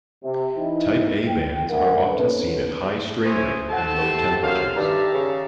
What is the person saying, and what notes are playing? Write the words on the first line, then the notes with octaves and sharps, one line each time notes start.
Type A bands are often seen at high strain rate and low temperatures.
C3
E3 D#4 E4
G5
D2 A#4 F#5
C4 C#4 D#4 A4 B4
E4 G#4 C5 C#5
A3 C4 A4 F#5 A5
G4 A4
F#2 C5 F5
G2 D#3 D#4 G4 E5 A5 A#5
C#3